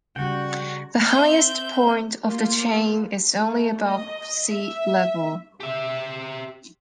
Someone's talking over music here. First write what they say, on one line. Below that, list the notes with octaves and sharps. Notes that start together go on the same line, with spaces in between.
The highest point of the chain is only above sea level.
C#3 G3 F#4 G5
C4 E5 G6
A#3 F4 G4
A3
D#5
E5
G4 E5